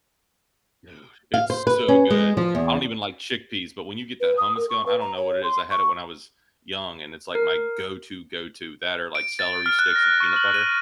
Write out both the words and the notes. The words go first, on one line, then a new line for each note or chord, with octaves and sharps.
Dude, it's so good, I don't even like chickpeas, but when you get that hummus going, I don't know what it is, I had it when I was young, and it's, like, my go to go to, that are like celery sticks and peanut butter,
F5
C5
B4
C#4
G#3
F3
E2
B4
D#6
A#4
C#6
B4
A#5
C#5
C6
C#6
A#4
D7
A6
F6
F#6
A#6
C#6
F#7
D#7